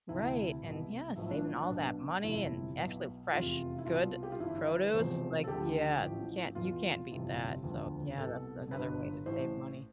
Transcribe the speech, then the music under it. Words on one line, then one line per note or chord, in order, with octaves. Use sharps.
Right, and yeah, saving all that money and actually fresh good produce, like, yeah, you can't you can't beat that. So yeah, that's another way to save money.
D2 C3 E3 E4
C2 B2
B1 A2 F3 E4
D4
D4
B1 B2
G1 F2 C3 E3 E4
B1 B2
F1 E2 C3 F4
E4
C2 B2 F4
G4
F4
G1 G2 E3 E4
E4
B4
E1 E2 C3 F3 C5
A4
D2 D3 F3 G4
A1 A2 F3
E2 B2 F4
G1 F2 C3 E3
E1 D2 D3 F3
C2 B2 A4
G1 G2 D3 B4
A1 A2 E3 C5